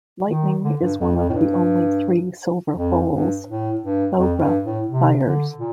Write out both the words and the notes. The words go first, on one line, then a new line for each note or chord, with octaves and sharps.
Lightning is one of the only three silver foals Thowra sires.
D#3
D3
G2
F2
F2
A2
G2
F2
G2
A2
G2
F2
G2
A2
C3
D3
A#2